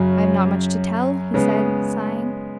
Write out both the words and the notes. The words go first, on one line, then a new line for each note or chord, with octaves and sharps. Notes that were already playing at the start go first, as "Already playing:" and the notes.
"I have not much to tell," he said, sighing.
Already playing: F#2 C#3 F#3
C#3 G#3 B3